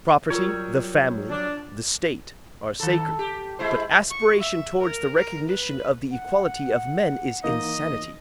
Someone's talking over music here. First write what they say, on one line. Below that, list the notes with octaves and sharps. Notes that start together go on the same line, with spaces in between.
Property, the family, the state, are sacred; but aspiration toward the recognition of the equality of men is insanity.
F#3 G3 F4 A#4 C#5
D4
D#3 A4
G4
G#3 E4 C5
C#6
E5
A#4
A#4
B4
F#5
E3 A#3 D#4 D#5